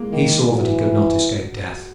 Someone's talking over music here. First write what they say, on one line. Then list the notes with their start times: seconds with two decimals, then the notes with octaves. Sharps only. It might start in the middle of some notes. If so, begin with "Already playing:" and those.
He saw that he could not escape death.
Already playing: G#3 A#3
0.12 D#3 A#3
0.51 E3 F#3